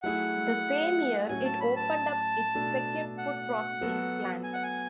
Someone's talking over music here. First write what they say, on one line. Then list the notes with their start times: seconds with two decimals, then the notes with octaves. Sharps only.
The same year, it opened up its second food processing plant.
0.03 F#3 A3 E4 G#4 F#5
1.29 A2 F#3 A3 C#4 F#4 G#5
1.45 A5
1.61 B5
1.76 A5
2.55 B2 A3 D4 A4
3.18 F#5
3.81 F#3 B3 F#4 A4
4.44 G#5
4.53 F#5
4.63 G#5